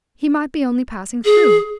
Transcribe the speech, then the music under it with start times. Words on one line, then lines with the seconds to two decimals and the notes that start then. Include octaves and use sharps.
He might be only passing through.
1.25 G#4